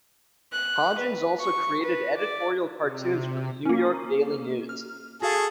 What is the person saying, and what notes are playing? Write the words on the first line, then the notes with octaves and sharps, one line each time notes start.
Hodgins also created editorial cartoons for the New York Daily News.
F#6
B4
C#6
B4
D5
C3
A#3 C#4
F6
F#4 G#4 A4 F5